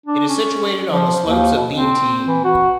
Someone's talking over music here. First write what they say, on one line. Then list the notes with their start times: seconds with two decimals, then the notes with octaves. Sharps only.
It is situated on the slopes of Beentee.
0.06 D4
0.29 C#4
0.90 F3
1.26 D#2
1.55 B2
1.72 C4
2.26 E3
2.44 F#4